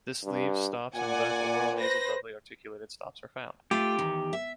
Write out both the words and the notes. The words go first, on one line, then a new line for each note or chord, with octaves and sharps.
This leaves stops, and both oral and nasal doubly articulated stops are found.
G2
A#2 D5 F#5 G#5
B4 C5 A#6
A3 F4 G4 G5
E2 D#3
E5